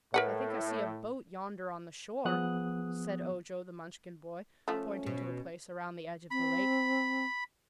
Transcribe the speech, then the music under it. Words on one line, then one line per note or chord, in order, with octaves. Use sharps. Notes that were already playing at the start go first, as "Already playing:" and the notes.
"I think I see a boat yonder on the shore," said Ojo the Munchkin boy, pointing to a place around the edge of the lake.
A2 A#4 B4 F#5
F3 B3 G#4 F#5 D#6 F#6
F3 A3 C#4
B2
C4 B5